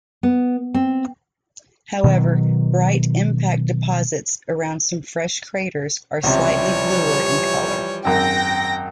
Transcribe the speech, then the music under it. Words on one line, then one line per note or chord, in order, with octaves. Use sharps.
However, bright impact deposits around some fresh craters are slightly bluer in color.
B3
C4
B2 D#3 F#3
C#2 C3 E3 F3 G3 C#5
G#1 F#2 G5 A#6